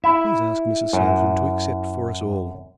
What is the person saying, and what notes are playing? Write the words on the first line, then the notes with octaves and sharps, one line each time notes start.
"Please ask Mrs. Salton to accept for us all."
E4 E5
F#2